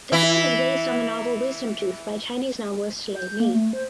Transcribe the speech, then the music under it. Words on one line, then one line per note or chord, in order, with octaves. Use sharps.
The film is based on the novel "Wisdom Tooth" by Chinese novelist Lei Mi.
E3 E4
G6
A#3
A3
C5